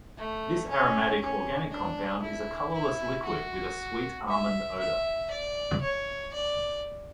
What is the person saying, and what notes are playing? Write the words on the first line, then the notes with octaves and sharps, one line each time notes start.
This aromatic organic compound is a colorless liquid with a sweet almond odour.
A3
C#4
C#4
D4
E4
E4
F#4
E5
E5
D5
C#5
D5